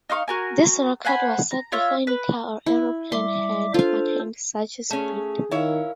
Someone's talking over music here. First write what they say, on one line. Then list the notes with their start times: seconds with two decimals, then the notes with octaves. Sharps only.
This record was set before any car or aeroplane had attained such a speed.
0.10 D#4 F5 C6 C#6
0.28 F#4 A#4 G#5
1.05 C5 F#5 G#5 B5
1.51 A#5
1.72 F4 C#5 E5
2.07 B4
2.66 E4
3.12 G3 E5 C6 D6
3.74 D4 F4 A4 C5 F5
4.90 A3 C#4 G#4
5.51 D#3 E4 A#4 C#5 F5